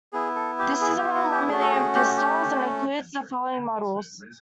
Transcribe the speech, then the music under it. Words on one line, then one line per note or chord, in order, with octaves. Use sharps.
This is around one million pistols and includes the following models.
B3 E4 G#4
A4
G4
G#4
G4
F#4
G4
A3 C#4 F#4 G#4
A4
G#4
G4
F#4
G4